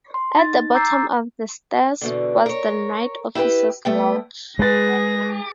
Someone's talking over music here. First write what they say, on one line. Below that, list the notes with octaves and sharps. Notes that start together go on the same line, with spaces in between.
At the bottom of the stairs was the night officers' lodge.
C6
D#4 A6
A#5 D6 E6 G6 A6 C7
E2 B2 D3
A#4 C#5
E4 G4 G#4 B4 G5
A3 B3 G5
G#3 G#4 B4 A6 A#6